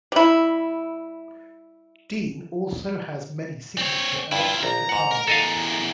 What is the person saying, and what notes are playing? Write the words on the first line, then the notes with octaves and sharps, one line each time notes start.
Dean also has many signature electric guitar models.
G3 E4
C4 C#5
G2 E4 F4
A#1 A#5
G#2 F#5
A#4
E2 A4 A#4 D#5 F5